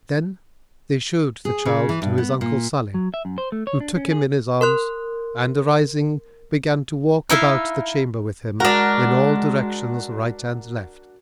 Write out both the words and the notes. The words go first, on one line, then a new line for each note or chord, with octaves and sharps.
Then they showed the child to his uncle Salih, who took him in his arms and arising began to walk about the chamber with him in all directions right and left.
G#4
C#3
E3
G2
B3
A#2
F#3
E5
F#2
C5
A3
C#5
D4
C#4
G#4
A#4 C6 F#6
D#4 E4 E5 F5
G#3 D4 F#4 A#4